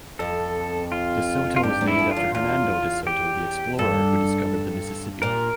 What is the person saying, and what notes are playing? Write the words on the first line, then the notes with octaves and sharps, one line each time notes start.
De Soto was named after Hernando De Soto the explorer who discovered the Mississippi.
F2 A4
F4
F4
G2 G4
E2
E4
F2
F4
E2
E2 F4
G4
G2 A4
A#2 A#4